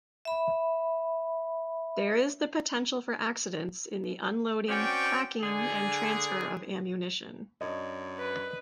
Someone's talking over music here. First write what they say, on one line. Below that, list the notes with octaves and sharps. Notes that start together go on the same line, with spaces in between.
There is the potential for accidents in the unloading, packing, and transfer of ammunition.
E5 B5
C4 C#4 F#4 C#5 D5 G5
D3 G#4
F#2 D4 C#5 D#5
B4